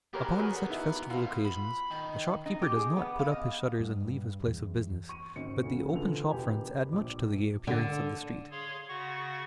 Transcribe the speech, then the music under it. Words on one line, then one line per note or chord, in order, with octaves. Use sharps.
Upon such festival occasions the shopkeeper does not put up his shutters and leave his place of business, but the open shop-fronts add much to the gay appearance of the street.
E3 B3 G4 A#4 C#5
F#4 G#4 A#4
D#4 E4
B2 F4
B5
D#3
D#4
G4
G#4
B3
F5
D#5
G2
E2
C#6 D#7
G#1 C#4 C#7
D2 C#3
D3 E3 F3 A4 F7
E1 G4 B4 G#5
A#1 D6
D3
G#4 C#5 F5 C6
C#3 F#4 F#5 C#6